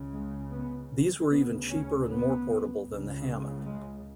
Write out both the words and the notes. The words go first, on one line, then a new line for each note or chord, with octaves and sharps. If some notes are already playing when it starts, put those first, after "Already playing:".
These were even cheaper and more portable than the Hammond.
Already playing: C#2 C#3
G#3
B3
D2 C#3 B3
C#4
B3
C#2 C#3
G#3